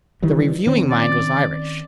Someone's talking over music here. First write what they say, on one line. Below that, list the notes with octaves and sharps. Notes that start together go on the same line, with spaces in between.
The reviewing mind was Irish.
D#3 E3 G3
D#3 C4 C#4
D5